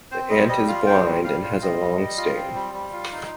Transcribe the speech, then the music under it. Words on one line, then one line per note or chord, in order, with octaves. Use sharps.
The ant is blind and has a long sting.
C4 C5
G3 D#5
G3 D#5
F4 F5
C4 G5
G3
G3 F5
F4
C4 D#5
G3
G3
F4
C4
G3
G3
F4
D#4